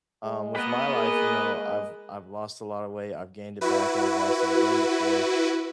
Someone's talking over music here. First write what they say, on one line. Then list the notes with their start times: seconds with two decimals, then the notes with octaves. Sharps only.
um, with my life, you know, I've I've lost a lotta weight, I've gained it back, and I've lost it again before,
0.24 G#3
0.56 A#3 B4 D#5 F#5
0.94 G#4 A#4
1.55 G#3
3.61 E4 F#4 B4